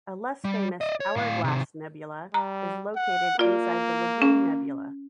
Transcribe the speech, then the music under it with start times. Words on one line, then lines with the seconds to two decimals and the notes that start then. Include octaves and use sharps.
A less-famous "Hourglass Nebula" is located inside the Lagoon Nebula.
0.44 G3
0.81 D5 D#5
1.00 C#5
1.16 A2 F5
1.44 C3 D#3
2.34 G3 A#5
2.96 F#5
3.39 A#3 F4 D5
4.22 C#4